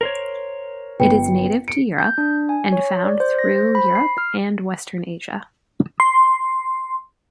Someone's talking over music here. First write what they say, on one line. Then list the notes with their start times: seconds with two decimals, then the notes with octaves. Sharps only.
It is native to Europe, and found through Europe and Western Asia.
0.01 A#4 C5 C#5
1.00 G1 B3 B4 G5 C#7
1.68 C#7 D7
1.99 G6
2.18 D4
2.49 G#5
2.72 C#5
3.04 D5
3.20 C5
3.39 A#6
3.56 C5
3.75 B5
3.95 C7
4.18 F6
6.00 C6